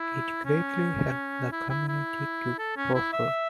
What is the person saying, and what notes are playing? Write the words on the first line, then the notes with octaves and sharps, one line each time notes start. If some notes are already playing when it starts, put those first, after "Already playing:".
It greatly helped the community to prosper.
Already playing: E4
C#4
E4
E4
E4
A4
C#4
E4
E5